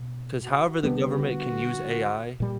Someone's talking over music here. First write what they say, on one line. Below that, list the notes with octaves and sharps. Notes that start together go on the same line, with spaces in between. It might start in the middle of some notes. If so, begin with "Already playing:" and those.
'Cause however the government can use AI,
Already playing: B2
F#4
D3 G3 B3 G4
F#4
A#2 G3